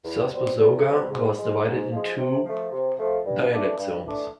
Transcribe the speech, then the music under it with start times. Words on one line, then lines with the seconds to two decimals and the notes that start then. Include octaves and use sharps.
Thus Busoga was divided into two dialect zones.
0.03 E2
0.31 B2 G3 C4
0.58 E2
0.84 B2 G3 C4
1.10 G#2
1.37 F3 G#3
1.64 G#2
1.91 F3 G#3
2.17 C3
2.43 F3 A3
2.71 C3
2.97 F3 A3
3.24 G2
3.51 E3 A3 D4
3.77 G2
4.04 E3 A3 D4